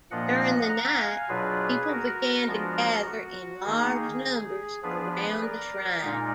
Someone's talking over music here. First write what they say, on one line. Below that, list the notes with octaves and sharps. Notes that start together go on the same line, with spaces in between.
During the night, people began to gather in large numbers around the shrine.
A#2 F3 A#3 D4 F4 D#5 F#5
F#5 A#5
F5 G#5
B2 F#3 D4 F4 G#4 B4
F#4 A#4
F3 G#3 B3 D4 F4
F#4
D#3 A#3 D#4 G#4
F3 B3 D4 G#4 B4
G#4 B4
A#4 D5
A#2 G#3 D#4